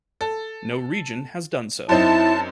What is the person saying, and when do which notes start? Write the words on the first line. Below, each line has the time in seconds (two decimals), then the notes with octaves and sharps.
No region has done so.
0.21 A4
1.89 F#2 C4 D#4 E4 A5